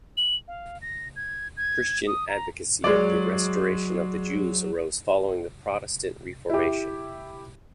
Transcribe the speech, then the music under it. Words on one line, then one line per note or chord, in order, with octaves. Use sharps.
Christian advocacy of the restoration of the Jews arose following the Protestant Reformation.
F#7
F5
A#6
G#6
G#6
D#6
A#5
F#3 G#3 D5
E4 G4